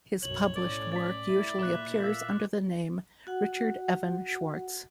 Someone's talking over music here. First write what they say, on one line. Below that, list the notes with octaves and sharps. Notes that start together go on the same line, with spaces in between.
His published work usually appears under the name "Richard Evan Schwartz".
B1 F#2 C#5 F#7
A2 C#4 D5
D5 A6 B6
A2 E4
A#2 D6 F#6
E5 F5
F#4 F#5